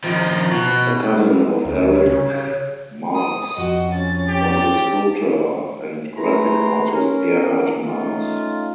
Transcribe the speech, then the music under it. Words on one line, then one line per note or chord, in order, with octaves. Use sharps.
A cousin of Erich Marcks was the sculptor and graphic artist Gerhard Marcks.
D#3 F3
B2
D2
C#5
C#3
D#6
F2 F#4 D#5
C#4 A6
G4
A3 G#4 B4 G#5 A#5 C6
C#4 A#4
A3 C#4 D#4 F4